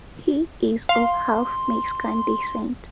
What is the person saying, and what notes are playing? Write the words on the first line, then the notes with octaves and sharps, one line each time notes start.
He is of half Mexican descent.
F5 C6